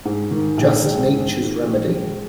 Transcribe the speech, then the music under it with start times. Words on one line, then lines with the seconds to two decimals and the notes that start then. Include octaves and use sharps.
Just Nature's remedy.
0.05 G#2
0.31 D#3
0.57 A#1
0.85 G#3
1.12 G#2
1.38 D#3
1.64 A#1
1.91 G#3